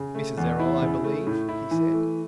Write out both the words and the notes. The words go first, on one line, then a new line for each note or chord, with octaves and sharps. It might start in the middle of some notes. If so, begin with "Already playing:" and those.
"Mrs. Errol, I believe?" he said.
Already playing: C#3
A3
E2
E4
C#3
A3
A2
E4
E3
A3